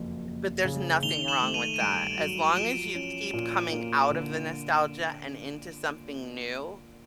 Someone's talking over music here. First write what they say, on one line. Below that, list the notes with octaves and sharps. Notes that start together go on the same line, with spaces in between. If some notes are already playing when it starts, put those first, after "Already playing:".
But there's nothing wrong with that, as long as you keep coming out of the nostalgia and into something new,
Already playing: F#1 F2
F#1
C#3
D#3 F7 G7
E7 F#7
A3
D#7 F7
D#7
G2 D7 E7
F#3
F3 D7 E7
C#4
A#2
A#3
D3